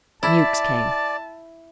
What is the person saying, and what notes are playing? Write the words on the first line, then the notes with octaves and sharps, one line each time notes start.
Mewks came.
E4 D5 A5